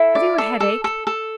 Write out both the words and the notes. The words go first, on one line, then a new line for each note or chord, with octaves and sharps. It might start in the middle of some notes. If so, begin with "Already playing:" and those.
Have you a headache?
Already playing: E4 A4
D5
A4
A4
A4
A4